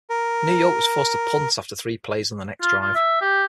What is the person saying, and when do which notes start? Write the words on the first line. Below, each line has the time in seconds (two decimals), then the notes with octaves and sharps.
New York was forced to punt after three plays on their next drive.
0.10 A#4
2.61 F4
2.81 F4
2.95 E5
3.21 G4